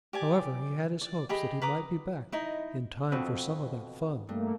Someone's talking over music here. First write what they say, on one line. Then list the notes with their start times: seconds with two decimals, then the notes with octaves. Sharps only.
However, he had his hopes that he might be back in time for some of that fun.
0.13 G4 D5 G#5
1.01 D5
1.29 G4 G#4 D#5 B5
1.62 B4 A#5 D6 D#6
2.32 D#4 E4 D#5
3.12 F2 B2 C4 B4
4.29 G2 A3 A#3